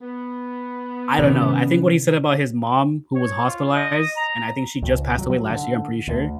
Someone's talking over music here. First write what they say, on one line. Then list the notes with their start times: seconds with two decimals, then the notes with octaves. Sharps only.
I don't know, I think what he said about his mom, who was hospitalized, and I think she just passed away last year, I'm pretty sure,
0.02 B3
1.19 C3 D#3 C#4
3.16 C#5
3.47 F4
3.76 D#5
4.17 A#5
4.82 C#2
5.18 F#3
5.30 F#3
5.50 D3
6.08 D2